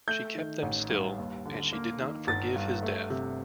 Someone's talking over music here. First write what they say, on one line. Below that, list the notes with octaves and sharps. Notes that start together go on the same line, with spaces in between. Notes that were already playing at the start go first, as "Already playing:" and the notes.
She kept them still, and she did not forgive his death.
A3 G6
D#3
A1
G2
D#2
D3
A#3
D#3
G1 A6
G2
A3
C3